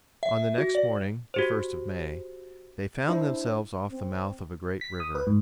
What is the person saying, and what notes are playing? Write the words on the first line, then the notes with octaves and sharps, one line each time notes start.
On the next morning, the first of May, they found themselves off the mouth of a great river.
E5
F#4
D5
F#4 G4 C5
D4 E4 C5
C4
B6
D#6
B4
G#2